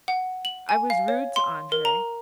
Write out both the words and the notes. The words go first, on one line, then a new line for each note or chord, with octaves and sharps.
"I was rude to Andrey!"
F#5
F#7
G#5
F5
C#5
C6
A#4
A#5